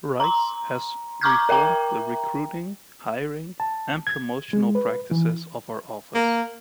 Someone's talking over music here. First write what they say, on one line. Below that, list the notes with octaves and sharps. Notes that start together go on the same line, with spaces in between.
Rice has reformed the recruiting, hiring and promotional practices of her office.
A#5 C6
A#5 C#6 D6 F6 G6 G#6
A#4 E5 G5 A#5
A5
G#6
G#3
B4
E3
A#3